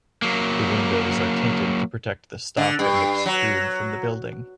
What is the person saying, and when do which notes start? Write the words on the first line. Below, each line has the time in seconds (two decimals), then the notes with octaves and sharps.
The windows are tinted to protect the stock and extrude from the building.
0.22 F#3 A#3
2.57 D3
2.79 G2
3.26 F#3